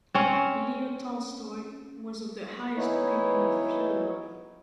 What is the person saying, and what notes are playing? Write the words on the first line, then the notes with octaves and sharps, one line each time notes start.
Leo Tolstoy was of the highest opinion of Fyodorov.
C4 C#4
E3 B3 D#4 E4 C#5